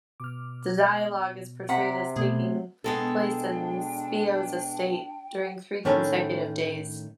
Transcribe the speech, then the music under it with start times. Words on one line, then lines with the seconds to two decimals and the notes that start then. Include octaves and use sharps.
The dialogue is portrayed as taking place in Scipio's estate, during three consecutive days.
0.20 B2 D6 F6
1.69 C3 F#5 A#5 B6
2.16 B2 A3 G#4
2.84 B2 G#3 D4 A4 G5
5.85 A2 D#3 A3 C#4 D4